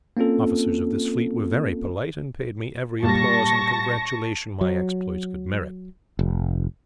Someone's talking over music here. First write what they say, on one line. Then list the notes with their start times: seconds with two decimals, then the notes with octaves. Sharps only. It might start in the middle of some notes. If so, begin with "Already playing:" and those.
The officers of this fleet were very polite, and paid me every applause and congratulation my exploits could merit.
0.17 A#3 C4 C#4 F4 A4
3.03 A#2 G3 A5 C#6 A#6
4.61 F#3
6.19 F1